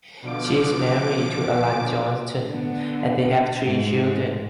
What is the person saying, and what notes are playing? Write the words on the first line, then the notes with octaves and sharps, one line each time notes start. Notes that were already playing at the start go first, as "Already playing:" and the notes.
She is married to Allan Johnston and they have three children.
B2 D3 F3 D6 D7
D3 B3
G#2 G#3